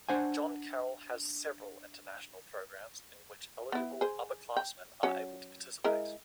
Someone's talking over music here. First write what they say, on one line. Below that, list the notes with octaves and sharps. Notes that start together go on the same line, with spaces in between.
John Carroll has several international programs in which eligible upperclassman are able to participate.
D4 C5 F#5 G#5
B3 E4
G#4 C5
G5
F#3 C#4
G#3 E4 A#4